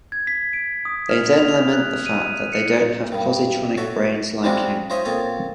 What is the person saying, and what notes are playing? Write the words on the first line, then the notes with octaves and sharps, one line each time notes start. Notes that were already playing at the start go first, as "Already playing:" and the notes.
They then lament the fact that they don't have positronic brains like him.
G#6
B6
D7
D#6
F6
F7
F#6
D#7
C#7
G2 D#3
F#4 A4 C#5 E5
G3 G#3 C4 D4 F4 F#4
D#4 F4 C5 C#5 D#5 E5
A#2 C4 F4 A4 C#5